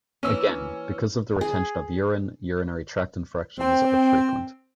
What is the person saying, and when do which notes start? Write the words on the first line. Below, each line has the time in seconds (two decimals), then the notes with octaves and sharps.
Again, because of the retention of urine, urinary tract infections are frequent.
0.23 E3 A#3 C#4 E6
1.41 G#4
3.59 C4